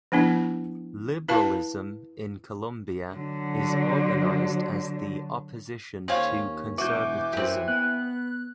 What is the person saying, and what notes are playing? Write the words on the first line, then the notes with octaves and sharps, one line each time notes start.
Liberalism in Colombia is organized as the opposition to conservatism.
F3 B3 D4 E4
E4 B4 F5 A5
D3 F#3
D#2 C4 C#4 F5
E1 E3 F#4 D6 G6
F#2 C4 G4
B3 F#6